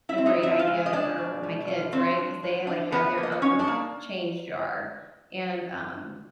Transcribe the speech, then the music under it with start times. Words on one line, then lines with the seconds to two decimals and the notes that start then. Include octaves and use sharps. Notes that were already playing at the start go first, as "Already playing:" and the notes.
a great idea for my kids, right, 'cause they like have their own change jar and um
0.09 E4 E5
0.18 C4
0.26 D#4 D#5
0.42 C4 E4 E5
0.59 F4 F5
0.67 G#3
0.86 D#5
0.93 G#3 D4 D5
1.18 B2
1.43 B2
1.68 F4
1.93 C4 D4 C5
2.17 D4
2.43 A2
2.67 D4
2.92 F3 B3 B4
3.18 A#3
3.23 D#5
3.32 D5
3.42 C#4 D#4 C#5
3.59 D4 D5
3.68 A#3